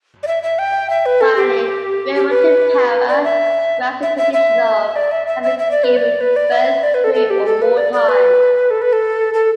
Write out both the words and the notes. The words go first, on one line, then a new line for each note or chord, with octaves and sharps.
Finally, "grand multipara" describes the condition of having given birth three or more times.
D5
E5
E5
G5
E5
B4
A4
G4
G4
B4
D5
E5
E5
E5
E5
D5
E5
E5
E5
E5
D5
B4
D5
B4
D5
E5
D5
B4
A4
A4
G4
A4
B4
D5
D5
B4
A4
B4
A4
A4